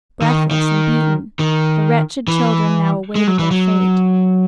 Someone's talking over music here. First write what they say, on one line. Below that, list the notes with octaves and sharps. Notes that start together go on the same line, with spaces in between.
Breathless and beaten, the wretched children now awaited their fate.
D#3
D#3
D#3
E3
G#3
F#3
E3
F#3